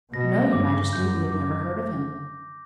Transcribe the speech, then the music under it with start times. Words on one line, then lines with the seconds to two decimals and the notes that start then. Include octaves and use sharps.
'No, your majesty, we have never heard of him.'
0.12 B2 A#6
0.53 G2 D6
0.92 F#2 G6
1.31 D6